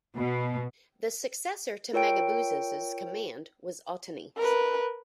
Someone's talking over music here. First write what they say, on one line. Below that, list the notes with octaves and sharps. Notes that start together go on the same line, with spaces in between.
The successor to Megabazus's command was Otanes.
B2
F4 A#4 C#5 G5 D7
A#4 B4